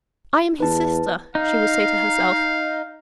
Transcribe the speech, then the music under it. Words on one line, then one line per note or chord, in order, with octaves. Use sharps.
"I am his sister," she would say to herself.
E2 B4 A5
D#4 F5